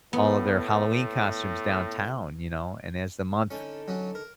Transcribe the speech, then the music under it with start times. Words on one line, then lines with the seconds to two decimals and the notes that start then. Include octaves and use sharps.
all of their Halloween costumes downtown, you know, and as the month
0.13 A2 B3
3.51 D3 C#4 D#4 A4
3.88 F#3 C#4 F#4
4.15 A#4